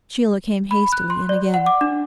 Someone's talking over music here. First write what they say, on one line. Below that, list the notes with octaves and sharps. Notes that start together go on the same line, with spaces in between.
Sheila came hastily in again.
B5
F#6
C6
D5
F#5
D6
D4